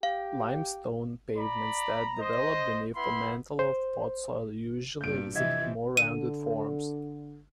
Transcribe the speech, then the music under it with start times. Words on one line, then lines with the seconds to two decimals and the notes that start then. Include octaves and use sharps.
Limestone pavements that develop beneath a mantle of topsoil usually exhibit more rounded forms.
0.03 G4 F5
1.37 D5 A#5 B5
2.18 C5 D#5
2.95 B3 E4 B5 C6
3.59 C5
5.01 G2 A#2 G6 D7
5.35 C3 E3 F3 D#5 E5 G#6
5.97 D3 D#7